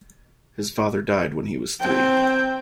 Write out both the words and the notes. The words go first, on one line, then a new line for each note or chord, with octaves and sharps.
His father died when he was three.
C4 G5